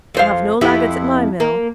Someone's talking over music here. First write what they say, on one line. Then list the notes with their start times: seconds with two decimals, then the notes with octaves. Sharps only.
'I'll have no laggards at my mill.
0.15 F2 C5 F5
0.61 F2 E4 G4
1.40 A#3